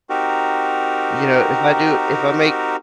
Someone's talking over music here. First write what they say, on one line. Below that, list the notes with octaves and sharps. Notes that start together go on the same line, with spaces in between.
you know, if I do if I make
C4 D#4 F#4 G4 A#4